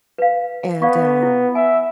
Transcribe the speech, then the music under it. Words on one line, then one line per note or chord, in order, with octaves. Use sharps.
and, um
B4 F5
B3 D5 F5 C#6
E4
E5 G#5